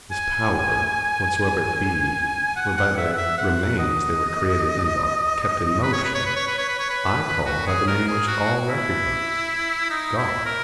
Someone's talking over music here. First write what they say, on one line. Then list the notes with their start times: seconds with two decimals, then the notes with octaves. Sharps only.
This power, whatsoever it be, whereby they remain as they were created, and are kept in motion, I call by the name which all recognise--God.'
0.11 G#5
2.56 F#5
2.77 F#5
2.97 E5
3.13 F#5
3.17 E5
3.38 F#5
3.79 D#5
5.83 B4
5.93 C#5
6.04 B4
6.14 C#5
6.26 B4
6.36 C#5
6.47 B4
6.58 C#5
6.68 B4
6.79 C#5
6.90 B4
7.45 F#4
7.67 G#4
7.87 A#4
8.07 G#4
8.28 F#4
8.69 E4
9.90 D#4
10.18 E4
10.45 A#4